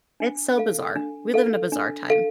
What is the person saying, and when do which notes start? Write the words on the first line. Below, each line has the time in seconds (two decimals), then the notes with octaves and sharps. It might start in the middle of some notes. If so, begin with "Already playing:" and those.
it's so bizarre. We live in a bizarre time.
0.20 D4
0.58 A4 F5
0.96 D4
1.34 A4 F5
1.72 D4
2.10 A4 F5